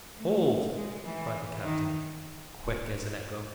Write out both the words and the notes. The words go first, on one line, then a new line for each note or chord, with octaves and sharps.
"Hold!" cried the captain, quick as an echo.
A3
G#3
E3
D#3